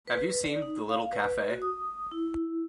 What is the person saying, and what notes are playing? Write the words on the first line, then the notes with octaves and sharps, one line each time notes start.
Have you seen "The Little Cafe"?.
B4
D5
D#4
F5
B4
F#4
D#6
E4